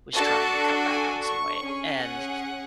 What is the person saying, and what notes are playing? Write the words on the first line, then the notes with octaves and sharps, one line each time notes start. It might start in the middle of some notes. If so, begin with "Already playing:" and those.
was trying to cut back on some weight, and,
D4 F#4 A4 A5
G#5
C#6
C#4 G#4
F#5